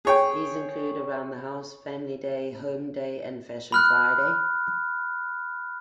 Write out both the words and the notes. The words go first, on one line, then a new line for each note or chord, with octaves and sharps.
These include "Around the House", "Family Day", "Home Day", and "Fashion Friday".
G#4 C#5 G5
B5 F6 F#6